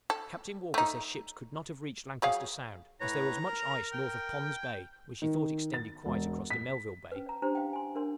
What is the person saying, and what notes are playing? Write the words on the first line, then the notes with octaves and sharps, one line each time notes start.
Captain Walker says ships could not have reached Lancaster Sound, as there was much ice north of Pond's Bay which he thought extended quite across to Melville Bay.
A4
A3 D#4
F#3 G#4 F5
A2 B4 C#5 A#5
A#4
G5
D#3
A6
E1
B6
C#4 B4
C#5 A#5
D4 E4 G4 C5 A#5
F5 G5
G#5 C6
D4 A#4 C#5 C6